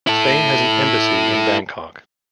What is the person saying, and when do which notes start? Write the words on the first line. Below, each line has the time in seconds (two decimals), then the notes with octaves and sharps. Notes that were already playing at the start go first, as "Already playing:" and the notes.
Spain has an embassy in Bangkok.
0.07 E4 A4